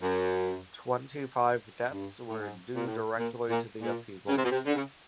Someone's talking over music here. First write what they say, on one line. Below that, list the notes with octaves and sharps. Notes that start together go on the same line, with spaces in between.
Twenty-five deaths were due directly to the upheaval.
F#2
G2
A2
G#2
A#2
A2
A#2
A#2
A#2
C#3
C3
B2
C3
D3
C#3